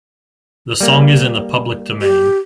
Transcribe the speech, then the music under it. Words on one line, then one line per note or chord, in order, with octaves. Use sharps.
The song is in the public domain.
G3 A#3
G4